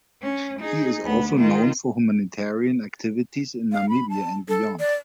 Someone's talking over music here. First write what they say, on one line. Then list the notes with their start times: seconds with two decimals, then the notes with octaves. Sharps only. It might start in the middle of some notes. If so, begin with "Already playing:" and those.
He is also known for humanitarian activities in Namibia and beyond.
0.22 C#4
0.60 D#4 G#4
1.03 D2 B3
1.36 D#3 F4
3.72 F5
3.89 B5
4.09 A5
4.48 A4
4.80 D5